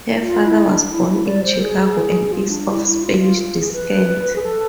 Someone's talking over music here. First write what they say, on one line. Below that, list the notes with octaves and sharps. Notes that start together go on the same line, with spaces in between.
Her father was born in Chicago and is of Spanish descent.
F4
E4
D4
E4
E4
D5
C5
G#4
F4
D4
E4
E4
F4
F4
G#4
B4
G#4
A4